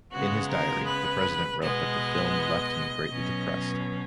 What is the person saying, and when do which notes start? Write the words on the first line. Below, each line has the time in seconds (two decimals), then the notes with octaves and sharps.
In his diary, the president wrote that the film "left me greatly depressed".
0.12 C#3 G#3 B3 F#4
0.50 A#4
0.87 B4
1.61 B2 G#3 B3 D#5
3.11 B2 F#3 C#4